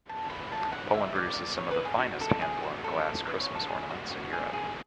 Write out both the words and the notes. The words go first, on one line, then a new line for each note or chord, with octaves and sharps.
Poland produces some of the finest hand-blown glass Christmas ornaments in Europe.
A5
B5
A5
F#5
E5
D5
C#5
B4
G#4
F#4
A4
G#4
F#4
A4
B4
C#5
A4
G#4
F#4
F#4
G#4
G#4